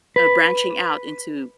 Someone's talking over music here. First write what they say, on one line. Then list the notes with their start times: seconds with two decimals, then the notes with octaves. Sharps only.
uh, branching out into
0.16 B4